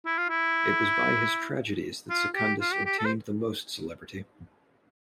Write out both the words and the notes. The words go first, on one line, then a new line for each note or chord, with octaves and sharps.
It was by his tragedies that Secundus obtained the most celebrity.
E4
F4
E4
F4
G4
F4
G4
G4
A4
C5